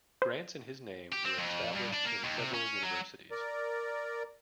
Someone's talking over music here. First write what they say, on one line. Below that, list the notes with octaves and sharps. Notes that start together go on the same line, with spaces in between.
Grants in his name were established in several universities.
C5
G4
C4
F2
G2
D4
A#3
D#2
C3
C#4
F#3
A#4 D5